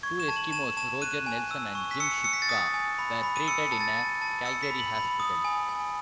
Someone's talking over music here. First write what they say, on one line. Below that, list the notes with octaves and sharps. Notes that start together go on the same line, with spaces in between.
Two Eskimos, Roger Nelson and Jim Shipka, were treated in a Calgary hospital.
C#6 G#6
E7
A5
F#7
A5 E7
A5 E7
F#6 D#7
G#5
E6
C#6
B6
E6 C#7
E6 C#7
B6
A6
D#6 B6
G#5
B5
B5
D#7
E6 C#7
A5
A6
A5
A5
E6 C#7
B6
B5
F#7
B5
D#6
G#5
G#5